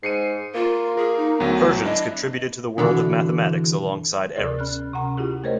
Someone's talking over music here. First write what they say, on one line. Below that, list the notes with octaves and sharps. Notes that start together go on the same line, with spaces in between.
Persians contributed to the world of Mathematics alongside Arabs.
G#2 C7 C#7 D#7
A#3 F4
G#4 A#4
D#4
D2 F#3 B3
D4 E4 D#5
B2 D3 E3
D2 C3 G#4 A#4 D5 A6
C#4 F6 F#6
C3 C#4 F#5 A#5 C#6
E4 F4 G4 G#4
A3 A#4 C5 C#5 D#5